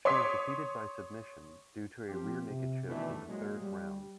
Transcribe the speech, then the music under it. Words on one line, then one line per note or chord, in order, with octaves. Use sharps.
She was defeated by submission due to a rear-naked choke in the third round.
C#5 C6 D6 D#6 B6
F3 C4 F4 G4
C3
B2 D#3 E3 A3 D4
A#2 F#3 G#3
G3